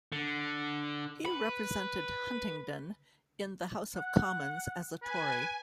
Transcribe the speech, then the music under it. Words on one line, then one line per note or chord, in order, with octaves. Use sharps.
He represented Huntingdon in the House of Commons as a Tory.
D3
B4
F#5
B4 G#5